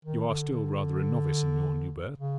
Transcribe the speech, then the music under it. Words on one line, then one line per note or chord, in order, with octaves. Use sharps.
You are still rather a novice in your new berth.
D#3
D3
D3
C#3